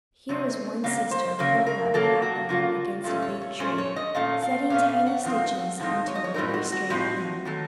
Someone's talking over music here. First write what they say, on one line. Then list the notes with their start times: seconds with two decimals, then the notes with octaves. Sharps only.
Here was one sister curled up happily against a big tree, setting tiny stitches into a very straight hem.
0.29 C3 F#3 C4 D#4
0.84 C#3 F#3 A#3 F5
1.11 C5
1.39 C#3 F#3 A#3 A#4
1.66 A#4
1.94 C#3 F#3 A#3 A4
2.22 F#4
2.49 C#3 F#3 A#3 F4
3.04 A#2 A3 C#4 F4
3.22 C#5
3.41 C#5
3.59 A#2 A3 C#4 C5
3.78 C#5
3.96 D#5
4.15 A#2 A3 C#4 F5
4.42 F5
4.70 A#2 A3 C#4 F5
4.89 F5
5.06 F#5
5.25 A2 F3 C4 D#4 F5
5.53 F#5
5.80 A2 F3 C4 D#4 F5
6.07 C#5
6.15 D#5
6.24 C#5
6.34 A2 F3 C4 D#4 A#4
6.54 F#4
6.72 F#4
6.90 A2 F3 C4 D#4
7.45 D#3 F#3 A3